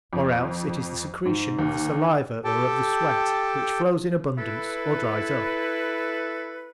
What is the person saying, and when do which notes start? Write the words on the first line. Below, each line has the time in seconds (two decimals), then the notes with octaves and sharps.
Or else it is the secretion of the saliva or of the sweat, which flows in abundance or dries up.
0.13 F2
1.25 G#2
1.59 D#2
2.44 G4 A4 G5 A5
4.38 E4 A4 B4